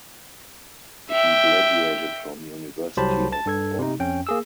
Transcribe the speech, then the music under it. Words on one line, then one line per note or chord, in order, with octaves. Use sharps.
He graduated from University of Bonn.
E5 G5
C2 F#3 G4 C5 A5 B5
A5 A6
G2 A4 G#6
C3 D#4
F2 C#4 G5
A#3 G#4 E6